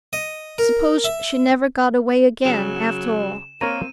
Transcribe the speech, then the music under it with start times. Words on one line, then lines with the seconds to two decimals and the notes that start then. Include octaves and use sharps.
Suppose she never got away again, after all?
0.13 D#5
0.58 A#4
1.04 E5
2.45 C#3 F#3 E7 F7
3.61 A#3 C4 A#4 C#5 A#5 D#7